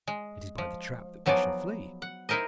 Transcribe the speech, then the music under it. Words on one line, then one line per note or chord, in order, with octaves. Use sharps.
It is by the trap that we shall flee.
G#3
F3
F3 F#3 B3 D#4 G#4 D5
F#5
D#4 E4 A#4 C5 D#5